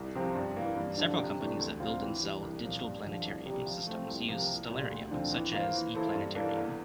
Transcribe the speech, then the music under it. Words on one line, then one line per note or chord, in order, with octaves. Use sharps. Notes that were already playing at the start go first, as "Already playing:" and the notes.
Several companies that build and sell digital planetarium systems use Stellarium, such as "e-Planetarium".
Already playing: C2
C3 F3 C4
G2
E3 A#3
G2
D3 F3
C3
E3 A3 D4
D2
C3 G3 C4 F4
E3
G3 D4
C2
A#2 F3
G2
D3 F3
C2
C3 G3
F3
A3 C4
C2
C3 F3 A#3
C2
A#2 G3
D2
D3 F3 C4
E3
A#3 F4 C5
E3
A#3 E4 A4 C5
G2
E3 A#3 D4 A4
E2